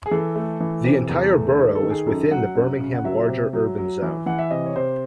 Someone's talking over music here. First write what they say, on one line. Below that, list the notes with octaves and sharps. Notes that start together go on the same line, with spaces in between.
The entire borough is within the Birmingham Larger Urban Zone.
G#4
E3 A4
A3
E3
C3
E2
A3
D#3 A4
A4
D#3
G#4
F#2 A4
F#3 F#5
F#2
C#3
F#5
F#3 E5
C3
F#3
F#3
E3
E3 F#5
E5
C3 D#5
C#5
C3 C5